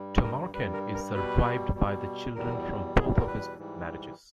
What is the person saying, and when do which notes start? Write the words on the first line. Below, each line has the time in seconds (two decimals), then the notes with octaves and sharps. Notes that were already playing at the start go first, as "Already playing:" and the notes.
Tomarken is survived by the children from both of his marriages.
Already playing: G2 G3
0.22 A#4
0.54 G2 G3 B4
0.73 A#4
0.94 A#4
1.14 B2 G3 B4
1.75 B2 G3
2.35 E2 B2 G3 A#4
2.96 E2 B2 G3 G#4
3.16 A#4
3.27 B4
3.57 G#2 E3 G3